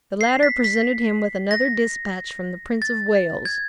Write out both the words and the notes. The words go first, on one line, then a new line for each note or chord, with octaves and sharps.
The latter presented him with another dispatch from the Prince of Wales.
C7
B6
B6
A#6
A6
G#6